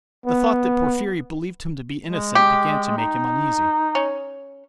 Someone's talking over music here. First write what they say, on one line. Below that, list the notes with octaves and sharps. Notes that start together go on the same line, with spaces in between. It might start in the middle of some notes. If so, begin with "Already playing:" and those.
The thought that Porfiry believed him to be innocent began to make him uneasy.
B3
G#3
G4
D#4
C#4